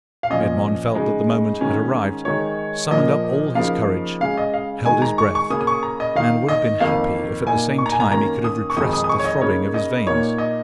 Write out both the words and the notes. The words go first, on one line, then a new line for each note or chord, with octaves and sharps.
Edmond felt that the moment had arrived, summoned up all his courage, held his breath, and would have been happy if at the same time he could have repressed the throbbing of his veins.
F5
A#2 F3 C#4 D#5
C#3 G#3 D#4
G#2 D#3 C#4
D#3 G#3 D#4 C#5
A#2 F3 A#3 D#5
C#3 F3 A#3 D#4 F5
C#3 G#3 C#4 F5
D#5
F5
D#3 G#3 D#4 G#5
A#5
C#6
C#6
C#3 A#3 C#4 D#6
D#6
C#6
A#5
D#5
D#3 A#3 D#4 F5
D#5
F2 D#3 A#3 F5
A#2 A#3 D#4 G#5
C#6
A#5
G#5
A#5
D#3 A#3 C#4 A#5
D#6
C#6
F2 D#3 G#3 D#4 D#6
D#6
D#6
C#6
C#5
D#5
C#3 A#3 D#4 C#5
D#5
A#2 A#3 D#4 C#5
D#5